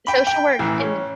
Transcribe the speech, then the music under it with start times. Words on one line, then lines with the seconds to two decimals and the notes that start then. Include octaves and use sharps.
social work and
0.07 G5 B5
0.27 G5
0.59 A1 E3
0.80 C#4